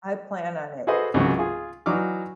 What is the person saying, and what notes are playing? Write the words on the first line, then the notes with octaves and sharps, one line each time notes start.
I plan on it.
F#4 G#4 A4 B4 C5 D#5
C#2 G#2 C3 D#3 F#3 G#3
F4 G#4
E3 F#3 D4 D#4 D6 F6